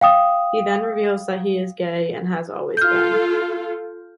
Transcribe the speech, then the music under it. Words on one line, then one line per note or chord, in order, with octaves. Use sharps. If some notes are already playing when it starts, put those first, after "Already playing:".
He then reveals that he is gay, and has always been.
F5 G5 D#6
F4 A4 F6 G6